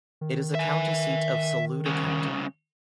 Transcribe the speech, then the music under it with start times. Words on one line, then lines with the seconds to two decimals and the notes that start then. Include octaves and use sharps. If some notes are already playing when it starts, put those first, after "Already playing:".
It is the county seat of Saluda County.
0.21 D#3
0.55 E5 G#5
1.86 C2 C#3